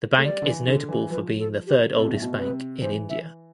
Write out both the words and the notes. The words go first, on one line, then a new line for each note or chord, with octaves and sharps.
The bank is notable for being the third oldest bank in India.
A3
G3 D5
D3
E3
D3
E3
F3 B4
A4
G4
C3 A4
B2
A2
B2
C3 B4
E3 C5
E5